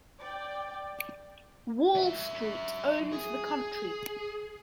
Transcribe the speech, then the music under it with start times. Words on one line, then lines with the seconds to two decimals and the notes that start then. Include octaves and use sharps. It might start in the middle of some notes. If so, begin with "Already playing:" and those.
Wall Street owns the country.
0.19 D5 G5
1.95 F#3 E5
3.12 G#4